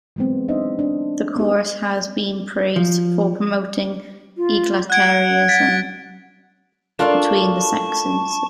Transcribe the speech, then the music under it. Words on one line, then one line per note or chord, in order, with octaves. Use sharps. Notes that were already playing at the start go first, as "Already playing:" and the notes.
The chorus has been praised for promoting egalitarianism between the sexes.
E3 F#3 G#3 B3 C4
D4 D#4 C5 D#5 E5
D4
B3 D#4 G4
F3
F4
F#5 F#6 G#6 D7
A6 B6 D7
D4 F4 A4 A#4 D5 A5 C#6